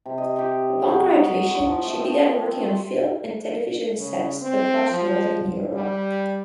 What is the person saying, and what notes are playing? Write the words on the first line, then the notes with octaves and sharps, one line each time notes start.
Upon graduation she began working on film and television sets across northern Europe.
C3
D#5
G4
F#3
F#5
C#5
F3
A3
C4
C4
C#5
C#3
C4
F3
G3